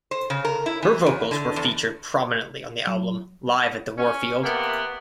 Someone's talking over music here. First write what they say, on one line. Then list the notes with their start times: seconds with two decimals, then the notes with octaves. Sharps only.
Her vocals were featured prominently on the album "Live at the Warfield".
0.11 C5
0.30 C#3
0.45 A#4
0.66 E4
0.82 E3
1.06 E2
1.31 D3
1.56 E2
2.87 F#3
3.97 C#4
4.43 C3 A#3 B3